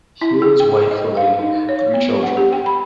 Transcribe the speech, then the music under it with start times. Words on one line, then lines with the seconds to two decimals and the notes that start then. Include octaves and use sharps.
He and his wife Elaine had three children.
0.21 E4
0.42 G#4
0.60 G5
0.91 D#5
1.17 F5
1.39 D#4
1.69 C#5
1.94 B3
2.23 F#5
2.37 G4
2.53 G5
2.66 B5